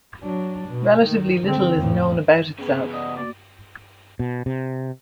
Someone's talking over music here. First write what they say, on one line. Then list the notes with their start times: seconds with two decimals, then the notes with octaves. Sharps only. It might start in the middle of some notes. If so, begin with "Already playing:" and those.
Relatively little is known about itself.
0.23 F#3 D4
0.69 B2
1.02 D#3
1.44 D3 C4
1.77 F2 A2
2.59 C#3 B3 G#4
2.92 D5 D#5 F#5
3.17 A#3 F#4 D5
4.19 B2
4.46 C3